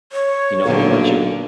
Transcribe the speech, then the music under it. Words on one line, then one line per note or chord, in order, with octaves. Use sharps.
you know? But what about you?
C#5
B1 A#2 D3 F3 A#3 G4